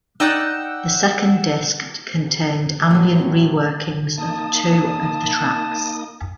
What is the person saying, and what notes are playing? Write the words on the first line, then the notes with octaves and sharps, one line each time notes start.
The second disc contained ambient re-workings of two of the tracks.
D#4 D5 F#5 G5 E6
A2 F#3
A#3 D#4 A5 D#6